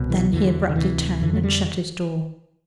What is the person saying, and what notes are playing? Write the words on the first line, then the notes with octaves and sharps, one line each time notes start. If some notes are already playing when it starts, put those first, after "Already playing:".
Then he abruptly turned and shut his door.
Already playing: C2 B2
E3
E2 D3 E3
D3
D2 C3 E3
F2 D3 E3
A3
G3